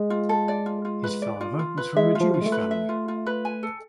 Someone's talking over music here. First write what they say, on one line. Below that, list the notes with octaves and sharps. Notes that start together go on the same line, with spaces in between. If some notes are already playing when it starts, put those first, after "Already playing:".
His father was from a Jewish family.
Already playing: G#3
F4
A4
D5
F4
F4
B4
D5
F4
F4
B4
G#3 E5
F4
F3
F4
G#3
A3
B4
E5
F4
F4
B4
G#5
A4